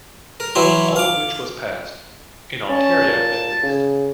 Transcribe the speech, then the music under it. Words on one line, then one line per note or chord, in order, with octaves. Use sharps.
All of which was passed, in Ontario at least.
A#4
E3 F#3 E4 C6
F5 D6
C#4 A5
A#2
C#3